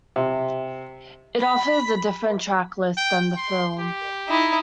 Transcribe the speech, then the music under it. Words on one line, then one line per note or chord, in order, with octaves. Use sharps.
It offers a different track list than the film.
C3
B5
G5
C6
G4
D#4 E4